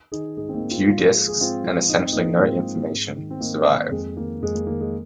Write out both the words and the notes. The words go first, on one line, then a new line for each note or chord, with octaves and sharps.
Few discs, and essentially no information, survive.
D#3 D#4 G#4
G#2 D#4 G#4
C4
A#3 D#4
D#3
C4 F4
G#2 F4
G#4
F3 F4
G#4
G#2 C4 F4
F3
G#2 D#4
C4
F3 A#3 D#4
G#2 C4 F4
F3
G#2
D#3
C4
G#2 A#3 D#4
D#3
F2 G#3 C4
D#3 A#3
F2 G#3
A#3
D#3 A#3
G#3